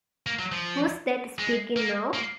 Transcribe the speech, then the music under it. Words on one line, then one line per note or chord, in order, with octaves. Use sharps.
Who's that speaking now?
A#3
F#3
F3
G#3
A#3
A#3